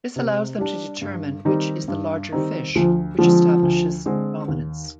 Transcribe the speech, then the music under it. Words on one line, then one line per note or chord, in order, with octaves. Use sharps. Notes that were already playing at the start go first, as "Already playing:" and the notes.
This allows them to determine which is the larger fish, which establishes dominance.
C3
G3 D4
G2
D#3 G3 C4 D#4
G2
D#3 G3 C4 D#4
D2 F3
D3 F3 G#3 C4
D2
D3 G#3 C4
D#2